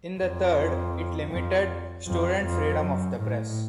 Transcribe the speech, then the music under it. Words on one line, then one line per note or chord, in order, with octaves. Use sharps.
In the third it limited student freedom of the press.
F2
F2
F2
F2
F#2
A2